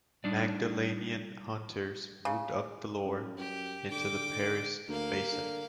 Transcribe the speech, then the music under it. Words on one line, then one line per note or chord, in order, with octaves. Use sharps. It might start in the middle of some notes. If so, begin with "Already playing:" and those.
Magdalenian hunters moved up the Loire into the Paris Basin.
G3 D4 D#4 D5
C#3
F#2
F#2 G4
D3 G5 D6
D2 A#3 F5
D3